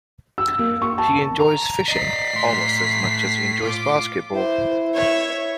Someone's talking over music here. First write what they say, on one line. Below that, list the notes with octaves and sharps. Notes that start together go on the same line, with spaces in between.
He enjoys fishing almost as much as he enjoys basketball.
E6
A#3
C#6
A5
A#5
D5 D#5 B6 C7
A2 C6
F4 D6
E4 C5
C#5 E5